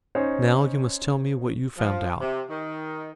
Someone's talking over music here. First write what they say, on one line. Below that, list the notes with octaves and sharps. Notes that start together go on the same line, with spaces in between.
"Now you must tell me what you found out."
C#4 D#4 C5 C#5
F3
C3
D#3